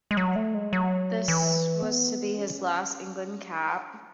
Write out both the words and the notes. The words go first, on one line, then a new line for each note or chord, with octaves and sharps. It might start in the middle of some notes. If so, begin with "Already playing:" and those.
This was to be his last England cap.
G#3
F#3
A3
G#3
F#3
E3
B3
C#4
D4
E4
D4
C#4